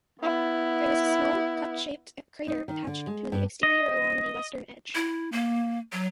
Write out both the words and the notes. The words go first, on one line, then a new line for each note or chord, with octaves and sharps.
There is a small, cup-shaped crater attached to the exterior along the western edge.
B3 E4
D#4
D#3
D3
G#3
G2
D#5
E4
A#3
F#3